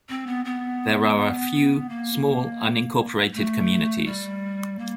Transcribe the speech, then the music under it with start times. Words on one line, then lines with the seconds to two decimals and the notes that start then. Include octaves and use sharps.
There are a few small unincorporated communities.
0.09 C4
0.27 B3
0.45 B3
1.89 A#3
3.33 A3
4.06 G3
4.79 A#3